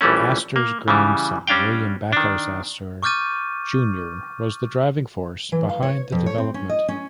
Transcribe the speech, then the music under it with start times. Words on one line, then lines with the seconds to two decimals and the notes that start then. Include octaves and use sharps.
Astor's grandson, William Backhouse Astor, Junior was the driving force behind the development.
0.01 A#1 E3 G3 A3 C#4
0.56 A#3
0.88 C#3 E3 G3
1.47 G3 C#4 D4 F5 G5
2.12 D#3 D4
3.03 C#6 D6 F6 G6 A6 D#7
5.52 E3
5.69 F5
5.83 C#5
6.12 F2
6.26 C#5
6.38 C4
6.54 C#4
6.69 D#5
6.88 C#4